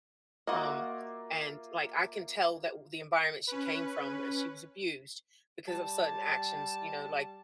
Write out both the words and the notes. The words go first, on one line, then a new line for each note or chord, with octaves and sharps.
um, and, like, I can tell that the environment she came from, that she was abused because of certain actions, you know? Like
A#3 F4 F#4 A#4 D#5 E5 D6
C#4 B4
G3 A5